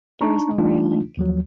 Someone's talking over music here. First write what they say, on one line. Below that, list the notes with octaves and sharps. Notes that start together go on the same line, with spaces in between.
There is no rail link.
D4 D#4 A5 A#5 C#6
E3 A3 D4 D#4 F4
D#2 F3 F#3